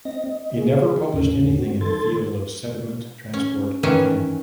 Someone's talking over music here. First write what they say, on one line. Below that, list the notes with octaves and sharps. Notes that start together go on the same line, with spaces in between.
He never published anything in the field of sediment transport again.
C4 D#5 A#6
D#5
G#4
E2 A2 C#4
C4 F#4
D#3 A4 C6 G#6 A6
C#4
D#3 E3 C#4